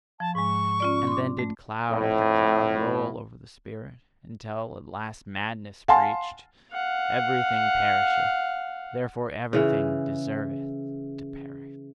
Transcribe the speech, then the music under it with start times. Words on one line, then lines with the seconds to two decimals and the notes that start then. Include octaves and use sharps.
And then did cloud after cloud roll over the spirit, until at last madness preached: "Everything perisheth, therefore everything deserveth to perish!"
0.20 F3 A5
0.35 G#2 G#3 C#6
0.80 C#4 F4 D5
1.07 C6 D6
1.39 A3
1.89 F2 A2
5.88 F5 F#5 G#5 A5 C6
6.72 F5 F#5
9.53 C#3 E3